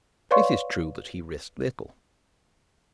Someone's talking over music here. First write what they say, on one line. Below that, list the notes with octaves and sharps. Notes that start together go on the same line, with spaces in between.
It is true that he risked little.
B4 C#5 D5 F5 C6 C#6